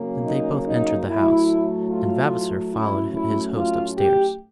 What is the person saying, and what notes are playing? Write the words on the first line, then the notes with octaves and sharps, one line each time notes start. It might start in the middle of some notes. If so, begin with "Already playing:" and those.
Then they both entered the house, and Vavasor followed his host up-stairs.
Already playing: F#2 C#3 F#3 A#3
D#4
D#4
A2 F#3 A3 E4
F4
A2 F#3 A3 C#4 E4
E4
F4
G4